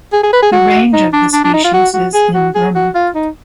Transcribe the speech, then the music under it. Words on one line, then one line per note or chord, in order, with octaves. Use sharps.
The range of the species is in Burma.
G#4
G#4
B4
G#4
F#4
D#4
D4
D4
D4
D#4
F4
F#4
F#4
G#4
F#4
G#4
F#4
F4
D#4